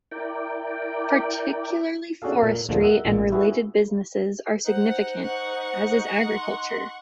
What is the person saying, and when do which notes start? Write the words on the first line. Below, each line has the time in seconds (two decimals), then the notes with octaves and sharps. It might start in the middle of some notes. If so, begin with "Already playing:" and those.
Particularly forestry and related businesses are significant, as is agriculture.
0.11 E4 A#4 D5 G5
2.22 C#4 D4 F#4 G#4 A4 F5
2.40 A#2 A#4
2.69 D2 A#2 D3 F3 G#3
2.81 A#4 D#5 E5 F#5
3.05 A1 A#2
3.32 E4 F#4 G#4 B4
4.66 D#4 C5 F#5
5.23 F#5 C#6
6.34 C6